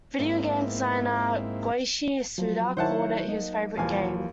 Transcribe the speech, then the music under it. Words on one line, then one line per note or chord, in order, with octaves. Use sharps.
Video game designer Goichi Suda called it his favourite game.
G#2 A#3 C4 E4
F3 F#3
D#3 E4 C5 C#5 F#5 A5
A#3 D#4
D#2 A#2 E3 F3 F5 G#5